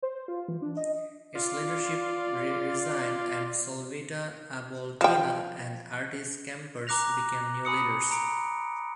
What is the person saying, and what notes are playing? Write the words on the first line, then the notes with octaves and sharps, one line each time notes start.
Its leadership resigned, and Solvita Aboltina and Artis Kampars became new leaders.
C5
F4
E3
D4
D#5
F4 D5
F3 G5
A#5 D6 F#6 A#6 F7
G#5 B5 D#6 C#7
A#5 D7